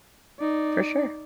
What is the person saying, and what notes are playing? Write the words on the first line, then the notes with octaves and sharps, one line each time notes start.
For sure.
D#4 D5